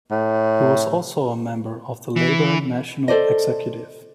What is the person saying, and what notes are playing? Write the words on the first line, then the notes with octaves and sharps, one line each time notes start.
He was also a member of the Labor National Executive.
A2
E3
A4 C5 D5 D#5